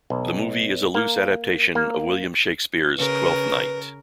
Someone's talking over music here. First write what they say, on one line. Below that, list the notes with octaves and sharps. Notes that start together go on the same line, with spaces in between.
The movie is a loose adaptation of William Shakespeare's "Twelfth Night".
B1
A#3
A#3
C#3 A#4 B4